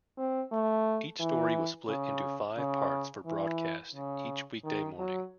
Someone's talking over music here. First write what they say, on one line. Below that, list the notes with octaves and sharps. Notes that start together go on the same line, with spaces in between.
Each story was split into five parts for broadcast each weekday morning.
C4
A3
E3
C#3
C#3
E3
C#3
D#3
F#3